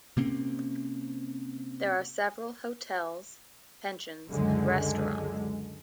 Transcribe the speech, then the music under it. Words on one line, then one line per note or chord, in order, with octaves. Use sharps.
There are several hotels, pensions and restaurants.
C3 A#3 C4 C#4
C#2 F#2 D3 G#3